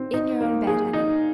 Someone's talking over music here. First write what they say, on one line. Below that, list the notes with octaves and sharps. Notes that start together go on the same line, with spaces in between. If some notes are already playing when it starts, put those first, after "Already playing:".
"In your own bed--honey."
Already playing: C4
D#4
A#3
G#4
D#4